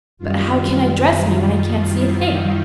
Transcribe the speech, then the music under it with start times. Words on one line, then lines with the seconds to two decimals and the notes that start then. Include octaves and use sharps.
"But how can I dress me when I can't see a thing?"
0.18 F#2 D#3 G3 F4
0.86 F4
1.55 F4
1.89 E4
2.23 D#4